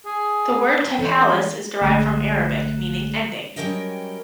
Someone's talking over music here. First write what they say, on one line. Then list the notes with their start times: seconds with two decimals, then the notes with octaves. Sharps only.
The word "takhallus" is derived from Arabic, meaning "ending".
0.06 G#4
0.99 F2 E3 C#4 A4 C5 C#5
1.81 A#1 D3 A3 F#6 E7
3.56 F#3 G3 C#4 A#4 D#5 G5